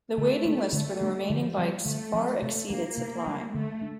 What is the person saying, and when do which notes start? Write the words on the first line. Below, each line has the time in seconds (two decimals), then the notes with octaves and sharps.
The waiting list for the remaining bikes far exceeded supply.
0.17 D3 A3
0.45 G3 A3 A#3 D4
0.73 D3 A3
1.01 G3 A#3 D4
1.29 D3 F3
1.57 F3 G3 C4
1.86 D3 A3
2.14 F3 C4
2.42 C3 A3
2.70 G3 A#3 D4
2.97 C3
3.26 G3 D4
3.54 D3 A3
3.81 A3 D4